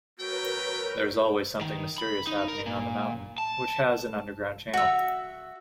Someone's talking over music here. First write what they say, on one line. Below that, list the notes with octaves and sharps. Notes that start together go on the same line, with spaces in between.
There is always something mysterious happening on the mountain, which has an underground channel.
A3 F#4 A#4 B4 C#5 G5
D#3
B5
D#4
A#4
A#2
A5
F#4 E5